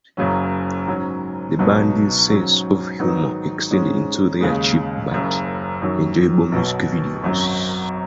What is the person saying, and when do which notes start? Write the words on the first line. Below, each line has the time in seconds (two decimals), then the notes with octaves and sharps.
The band's sense of humour extended into their cheap but enjoyable music videos.
0.17 F#1 F#2 C#3 F#3 C#4
0.87 G#2 F#3 C#4
1.59 C#2 B2 F#3 D#4
2.29 G#2 F#3 C#4
3.00 G#2 D#3 F#3 B3 D#4
3.71 G#2 G#3 C#4
4.41 D#2 C#3 G#3
5.12 F#1 F#2 C#3
5.82 F#2 D#3 F#3
6.52 B1 B2 F#3
7.23 G#1 F#2 F#3 C#4